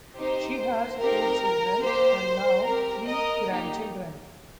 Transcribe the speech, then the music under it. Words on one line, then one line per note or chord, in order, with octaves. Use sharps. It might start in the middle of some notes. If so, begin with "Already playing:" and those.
She has four children, and now three grandchildren.
C4 D#4 G4 C5
C4 D#4 G4 A#4
A#3 G4 C5
C4 G4 A#4
A#4 D#5
A#3 D#4 G4